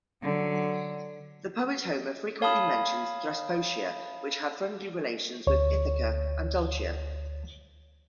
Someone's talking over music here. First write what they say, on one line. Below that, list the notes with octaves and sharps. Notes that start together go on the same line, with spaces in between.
The poet Homer frequently mentions Thesprotia which had friendly relations with Ithaca and Doulichi.
D3 F#3
C#5 F5 A5 B5 D#6
D2 C#5